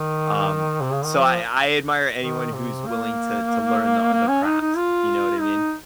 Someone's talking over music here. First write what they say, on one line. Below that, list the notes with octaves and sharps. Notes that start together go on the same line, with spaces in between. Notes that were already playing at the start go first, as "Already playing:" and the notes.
um, so I I admire anyone who's willing to to learn the u the craft, you know what I mean?
Already playing: D#3
C3
C#3
D#3
F3
D#3
C3
A#3
A#3
C#4
D#4
D#4
F4
D#4